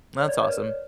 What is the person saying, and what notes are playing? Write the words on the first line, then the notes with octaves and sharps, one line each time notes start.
That's awesome.
C#5
D5
C#5
B4